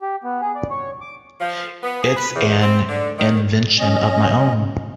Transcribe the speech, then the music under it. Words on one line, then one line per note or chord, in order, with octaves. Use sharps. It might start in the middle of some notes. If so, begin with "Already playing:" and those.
It’s an invention of my own.
G4
B3
G#4
D5
C#5
D6
F3
B3
G#4
B4
E2
C4
D3
D#3
C#4 D#5